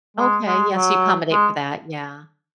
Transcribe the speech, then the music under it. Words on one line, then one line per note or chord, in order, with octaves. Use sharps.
Okay, yes, you accommodate for that, yeah.
G#3
G#3
F#3
G#3